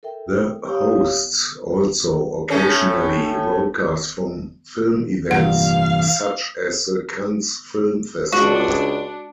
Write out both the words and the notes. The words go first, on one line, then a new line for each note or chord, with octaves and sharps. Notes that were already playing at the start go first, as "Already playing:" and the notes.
The hosts also occasionally broadcast from film events such as the Cannes Film Festival.
A4 A#4 E5 G5
G4 C#5 F5 D#6
A2 A3 C#4
F1 G2 A#2 E3 F5 F#5
C#2 G#3 D4 F#4 G#4